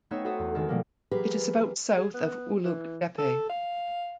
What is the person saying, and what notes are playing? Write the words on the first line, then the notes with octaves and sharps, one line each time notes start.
It is about south of Ulug Depe.
A3 B3 C4 D#4 C#5 E5
F#4 A4 C5 E5 B5 D#6
E2
D#3 G#3 D#4 A4 A#4
B2 D#3 F3 G3 A3 A#3
E3 F#3 G4 G#4 A#4 B4
G#4
B3
E3
A4
F5